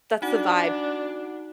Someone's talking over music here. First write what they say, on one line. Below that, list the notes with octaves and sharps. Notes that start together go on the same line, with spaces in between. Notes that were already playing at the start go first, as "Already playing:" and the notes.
That's the vibe.
D4 D#4 F#4 F#5